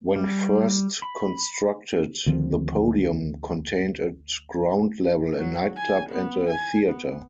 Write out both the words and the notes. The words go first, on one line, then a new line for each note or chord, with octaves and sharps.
When first constructed, the Podium contained at ground level a nightclub and a theatre.
G3
B5
D2 D#3 F3 C4
F#3
G#5
B3
G#5
B3